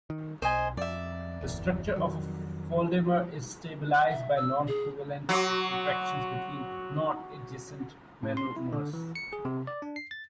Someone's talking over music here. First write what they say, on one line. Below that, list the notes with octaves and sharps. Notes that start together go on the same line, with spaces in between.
The structure of a foldamer is stabilized by noncovalent interactions between nonadjacent monomers.
D#3
B1 C5 D#5 G#5
F2 D5 E5
D1 G1 E2
F2 D#3 F#3
E5
E6
G#4
F#3 F#4 C6 D6
A2
C6
E4
D3
E3
C#7
G#4
C3
D5
D4
C7
A6